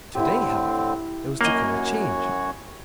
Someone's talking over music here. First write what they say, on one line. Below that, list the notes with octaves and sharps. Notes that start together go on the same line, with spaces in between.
To-day, however, there was to come a change.
A2 D3 C4 E4 G4
F#2 A#3 F#4 C#5 D#5